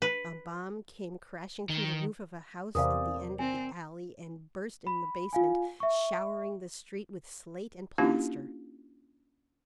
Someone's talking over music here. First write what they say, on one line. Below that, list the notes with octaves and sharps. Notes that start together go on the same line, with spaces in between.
A bomb came crashing through the roof of a house at the end of the alley and burst in the basement, showering the street with slate and plaster.
B4
D#3
E2 C3 A#4 C5 D5 F5 G#5 D#6
C4 G#5
B5
F4 F5 G#5
E5 C#6
A#3 C#4 D4 E4 F4 G4